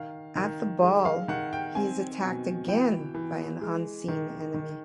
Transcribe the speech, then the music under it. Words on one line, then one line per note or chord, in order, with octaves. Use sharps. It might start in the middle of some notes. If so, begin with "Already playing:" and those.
At the ball, he is attacked again by an unseen enemy.
Already playing: D#3 F5
D#3
G#3
F5
D#3 F#5
G5
C4 G#5
B2
E3 G5
E3
G#3
D#3
D#3